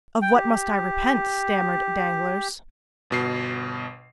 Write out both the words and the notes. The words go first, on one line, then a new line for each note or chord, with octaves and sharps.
"Of what must I repent?" stammered Danglars.
G5
G4
G1 B2 C7